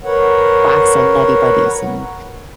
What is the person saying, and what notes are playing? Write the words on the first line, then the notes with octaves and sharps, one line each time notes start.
box of Nutty Buddys and
A#4 B4 C#5 F#5